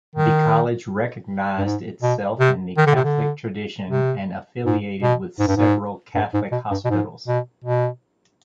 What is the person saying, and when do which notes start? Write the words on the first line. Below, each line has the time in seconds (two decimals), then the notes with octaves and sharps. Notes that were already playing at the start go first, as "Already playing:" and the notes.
The College recognized itself in the Catholic tradition and affiliated with several Catholic hospitals.
0.16 D#3
1.58 G2
1.65 G#2
2.02 B2
2.39 C3
2.77 D#3
2.86 D3
2.95 C3
3.04 D3
3.90 C3
4.65 G#2
5.02 B2
5.39 G#2
5.48 G2
5.57 G#2
6.14 G2
6.34 G#2
6.52 B2
6.71 G2
6.85 B2
6.90 G#2
7.28 B2
7.65 B2